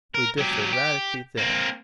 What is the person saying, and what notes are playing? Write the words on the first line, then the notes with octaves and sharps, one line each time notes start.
We differed radically then.
A#4
F#3 G4
G4
A#3 C4